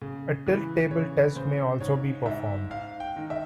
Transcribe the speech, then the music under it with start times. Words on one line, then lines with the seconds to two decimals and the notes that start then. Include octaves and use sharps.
A tilt table test may also be performed.
0.02 C#3
0.47 E3
0.91 C#3 C#5
1.35 C#3 C5
1.80 G#2 C#5
2.25 G#2 E5
2.70 G#2 F5
3.00 G5
3.16 D#3
3.30 E5